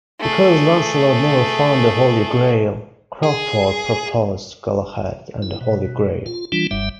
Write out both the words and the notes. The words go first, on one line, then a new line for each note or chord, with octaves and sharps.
Because Launcelot never found the Holy Grail, Crockford proposed "Galahad and the Holy Grail".
A3 G#4
G#4
E4
B2
F4
E3 G3 D4 F4
F#1 G2 G3 E5